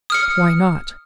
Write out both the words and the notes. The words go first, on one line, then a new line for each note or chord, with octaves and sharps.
"Why not?"
D#6 F6 C#7